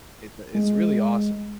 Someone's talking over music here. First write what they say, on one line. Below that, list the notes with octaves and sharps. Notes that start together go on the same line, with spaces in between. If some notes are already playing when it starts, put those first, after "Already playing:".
It's it's really awesome.
G#3